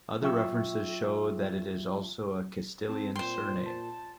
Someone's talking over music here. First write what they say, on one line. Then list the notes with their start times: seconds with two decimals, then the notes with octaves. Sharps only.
Other references show that it is also a Castilian surname.
0.22 F#3 F4 E5 G5 C#6 E6
2.89 C4 A5
3.16 A#2 C5 G5 C6
3.66 A5